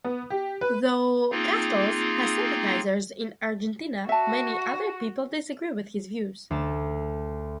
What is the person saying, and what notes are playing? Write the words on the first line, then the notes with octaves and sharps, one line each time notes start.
Though Castells has sympathizers in Argentina, many other people disagree with his views.
B3
G4
B4
A#3 C4 D#4 F4 G#4
F#4 E5 A5
D2 A5